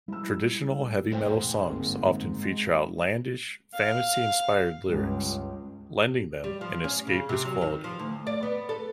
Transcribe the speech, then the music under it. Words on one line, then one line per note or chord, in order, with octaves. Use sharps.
Traditional heavy metal songs often feature outlandish, fantasy-inspired lyrics, lending them an escapist quality.
G3 G#3 E4 E6
E1 G#2 A3 C5 G5
G1 A#3 C4
F5
C#2 G2
G3
F3
C#4
C#3
C3
F#3
D#3
F3
D2
D5
B3
A4